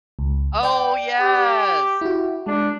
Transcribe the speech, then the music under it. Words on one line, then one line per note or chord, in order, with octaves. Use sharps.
Oh, yes.
C#2
D5 G5
G4
E4 F#4
G#3 D4